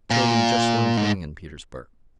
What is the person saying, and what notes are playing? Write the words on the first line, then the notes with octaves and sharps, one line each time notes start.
"I told them just one thing in Petersburg."
A#2
G#2